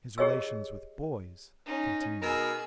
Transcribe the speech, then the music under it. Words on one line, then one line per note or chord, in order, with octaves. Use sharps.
His relations with boys continued.
G4 G#4 C#5 D#5 E6
C#4 D#4
B2 D#4 G#4 A#4 E6